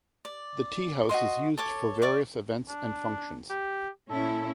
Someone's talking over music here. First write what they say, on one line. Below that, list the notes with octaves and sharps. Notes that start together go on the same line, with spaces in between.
The teahouse is used for various events and functions.
D5
F#4 C5 D#5 C6
A4 C#5 D6
D5 C#6 D6
D4
G4
A#2 C#4 E4 A4